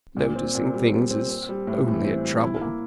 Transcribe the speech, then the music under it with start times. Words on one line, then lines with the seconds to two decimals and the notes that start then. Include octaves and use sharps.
Noticing things is only a trouble.
0.17 A#2
0.36 C4
0.55 A#2
0.74 G3
0.92 A#2
1.11 C4
1.30 C4
1.49 G3
1.67 A2
1.87 E3
2.04 C4
2.24 G3
2.43 E4
2.61 A#3